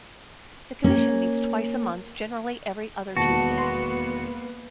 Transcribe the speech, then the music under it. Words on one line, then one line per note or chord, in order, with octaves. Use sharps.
The commission meets twice a month- generally every other Tuesday.
A#3 C#4
E1 D#2 A#3 B3 F#4 A5
C6